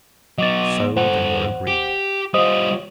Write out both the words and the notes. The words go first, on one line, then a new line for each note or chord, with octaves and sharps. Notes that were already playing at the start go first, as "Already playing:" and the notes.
So they were agreed.
F#3 B3 D#5 D6 A6
G2 A4 C5 F#5
G4
G3 F4 C5 D#5 D#6